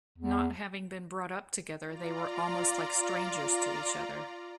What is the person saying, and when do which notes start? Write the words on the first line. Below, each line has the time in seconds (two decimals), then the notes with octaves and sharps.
Not having been brought up together they were almost like strangers to each other.
0.18 E2
1.84 F4 D5 A#5